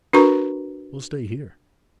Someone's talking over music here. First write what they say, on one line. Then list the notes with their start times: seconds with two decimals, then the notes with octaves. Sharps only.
We'll stay here.
0.13 D4 F#4 A#4 B4 A#5 C#6